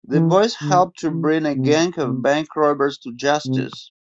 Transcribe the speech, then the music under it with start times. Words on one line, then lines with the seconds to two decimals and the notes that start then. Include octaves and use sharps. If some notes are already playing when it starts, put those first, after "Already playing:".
The boys help to bring a gang of bank robbers to justice.
0.14 E3
0.62 D3
1.08 E3
1.56 C3
2.04 C3
3.46 C3